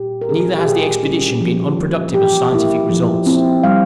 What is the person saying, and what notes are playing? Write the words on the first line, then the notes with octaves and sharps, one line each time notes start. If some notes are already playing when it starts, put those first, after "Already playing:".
Neither has the expedition been unproductive of scientific results.
Already playing: A#2 G4
A#4
G#3 C4 G#4
G4
A#2 G#4
G3 A#3 C#4
F3
A#3 F4
E3 G4
A#3 E4
F3
C4 E4
G3 F5